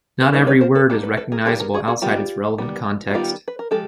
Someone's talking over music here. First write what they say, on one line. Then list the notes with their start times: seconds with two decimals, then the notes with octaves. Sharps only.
Not every word is recognizable outside its relevant context.
0.21 B4
0.33 G3 A#3 D#4 A#4 C5
0.47 B4 C#5
0.61 A#4 C5
0.75 A4 B4
0.90 G3 A#3 D#4 G4 A4
1.03 A4 B4
1.17 A4 B4
1.32 G#4 A#4
1.45 D#3 G3 B3 G4 A4
1.60 G#4 A#4
1.74 F#4 G#4
1.88 F#4 G#4
2.02 D#3 G3 B3 F4 G4
2.58 D#3 G3 B3
3.11 F#4
3.14 D#3 G3 B3 F4 G4
3.48 B4
3.59 A#4
3.71 F3 G#3 G4 A4